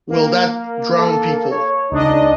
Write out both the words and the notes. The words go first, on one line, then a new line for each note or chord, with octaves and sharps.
Will that drown people?
A#3
A4
C#5
C#2 D4 D#4 D#5